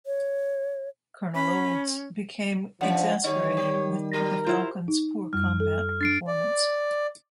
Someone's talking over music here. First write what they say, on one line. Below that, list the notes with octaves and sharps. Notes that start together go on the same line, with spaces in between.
Colonel Olds became exasperated with the Falcon's poor combat performance.
C#5
C#4 B5
G2 F3 C#4 F#5
D#3 G3 D#4 G4 C#5
G4
F#3 G4 A#4
E4 F4 C5
D#4
F#2 G3 F6
A4
D4 A6 C7 D7
D5